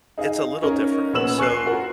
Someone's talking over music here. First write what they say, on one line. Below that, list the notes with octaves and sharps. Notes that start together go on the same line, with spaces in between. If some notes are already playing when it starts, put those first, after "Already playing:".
It's a little different, so
D#4 G#4 D#5 F5
C#4 D#4 A#4 C#5
A#2 B3 C#4 E6 E7 F#7
G#5 C#6 F#6 C7
F4 F#4 A#4